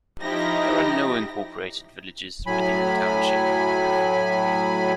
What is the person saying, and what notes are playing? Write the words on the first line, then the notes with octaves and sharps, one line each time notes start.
There are no incorporated villages within the township.
F3 D#4 E4 G4 A#6
A2 F#3 G#5 B5